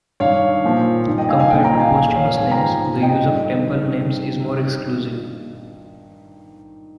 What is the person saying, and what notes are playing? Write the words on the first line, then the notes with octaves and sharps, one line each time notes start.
Compared to posthumous names, the use of temple names is more exclusive.
G2 D#3 C#5 F5
A#2 F3
G2 D#3
D#5 G5
F5 G#5
F5 G#5
A#2 F3 D#5 G5
G5 A#5
F5 G#5
A#2 F3 F5 G#5
C#5 F5
G#2 F3 F5 G#5
G5 A#5
A#2 F3
D#5 G5
G2 D#3